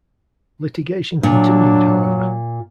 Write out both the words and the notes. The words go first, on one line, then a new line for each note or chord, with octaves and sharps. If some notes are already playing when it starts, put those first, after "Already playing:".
Litigation continued, however.
A#2 F#3 D4